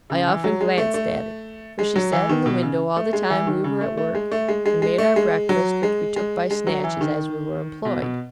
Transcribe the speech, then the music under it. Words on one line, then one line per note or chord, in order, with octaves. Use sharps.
I often glanced at it, for she sat in the window all the time we were at work; and made our breakfast, which we took by snatches as we were employed.
C#3
E3
F#3
G#3
A3
A3
G#3
F#3
E3
D#3
B2
C#3
A3
G#3
E3
D#3
C#3
A3
A3
G#3
A3
G#3
G#3
G#3
A3
G#3
F#3
G#3
G#3
G#3
F#3
E3
D#3
B2
B2